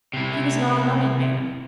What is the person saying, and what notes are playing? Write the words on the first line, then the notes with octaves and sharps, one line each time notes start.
He was not a moneyed man.
C3 E4